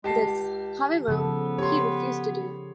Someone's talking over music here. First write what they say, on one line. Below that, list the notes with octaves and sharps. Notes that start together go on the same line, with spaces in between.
This, however, he refused to do.
G#3 G4 A5 C7
C#2
C#3 F3 B3 A4
G4 C#5 C6